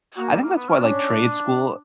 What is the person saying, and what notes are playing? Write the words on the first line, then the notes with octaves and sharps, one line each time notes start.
I think that's why, like, trade school
A#3 F#4
G3
A#3
B3
C#4
C#4 D4